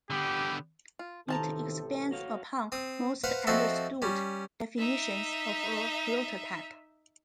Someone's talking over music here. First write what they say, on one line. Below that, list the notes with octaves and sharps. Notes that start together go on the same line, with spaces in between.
It expands upon most understood definitions of a prototype.
D3 B3 G4
F4
A1 C3 D#3 F3 A4 A5 A#5
F#4 C#5 F5
C4 D#6
B4 C5 F5 F#5
F3 C4 F#4 A4 D#5 E5
G3 C#4
D#4 E5